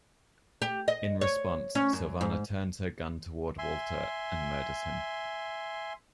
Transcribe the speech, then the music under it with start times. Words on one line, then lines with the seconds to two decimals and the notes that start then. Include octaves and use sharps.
In response, Silvana turns her gun toward Walter and murders him.
0.62 G4
0.88 D#5
1.21 C#5
1.75 C#4
1.93 F#2
2.21 G#2
3.59 E5 G#5 C6